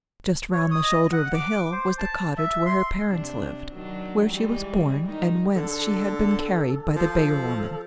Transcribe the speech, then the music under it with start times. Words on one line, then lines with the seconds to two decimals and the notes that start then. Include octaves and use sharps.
Just round the shoulder of the hill was the cottage where her parents lived, where she was born and whence she had been carried by the beggar-woman.
0.52 C#5
0.71 D#6
0.83 D#5
1.12 F#5
1.34 D6
1.72 C5
1.98 A5
2.37 E5
2.66 C6
3.08 C3 D4
3.73 D#3 F#3 D4
4.28 E3 G3 G#3
5.07 D#3 G#3 D#4
5.56 D3 A4
6.96 F3